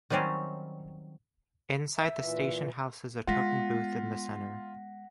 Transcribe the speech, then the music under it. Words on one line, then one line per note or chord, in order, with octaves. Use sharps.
Inside the station house is a token booth in the center.
D#3 F#3 G3 C4 C#4
E5
A#2 E3
G#3 B3 F4 F#5 A#6 B6